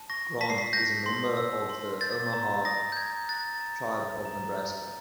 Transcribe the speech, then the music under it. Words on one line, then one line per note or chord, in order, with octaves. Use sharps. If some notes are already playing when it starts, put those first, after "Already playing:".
Grant is a member of the Omaha tribe of Nebraska.
Already playing: A5
C#6 A#6
A5 B6
C7
B6
G6 A#6
C6
E6
C6
G6 A6
A#5
D#6 A#6
G6
A#5 G#6
F#6 A6
A#5
D#6
A#5
G6